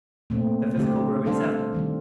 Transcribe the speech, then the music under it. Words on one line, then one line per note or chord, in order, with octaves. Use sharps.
The physical ruin is evident.
A#2 A3 C4
D3 A3 C4 G4
G3 D4 A4 C5 F5
D#3 G3 C4